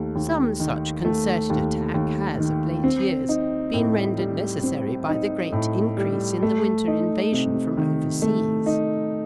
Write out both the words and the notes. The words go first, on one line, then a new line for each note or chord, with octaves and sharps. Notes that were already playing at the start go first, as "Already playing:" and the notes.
Some such concerted attack has of late years been rendered necessary by the great increase in the winter invasion from overseas.
Already playing: D#2 A3
D#2
D#3
A3
D#2
D#2
D#3
C4
D#4
A2
G3
C4
D#4
A2
G3
A3
D#4
C3
D#3
A3
D#4